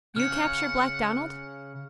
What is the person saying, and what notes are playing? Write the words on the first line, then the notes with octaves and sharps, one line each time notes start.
You capture Black Donald!
C#3 F#5 F6 C#7